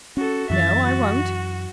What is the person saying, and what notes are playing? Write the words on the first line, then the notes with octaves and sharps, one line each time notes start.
No, I won't.
C#4 F#4 A4
F#2 E3 E5 A6
F#4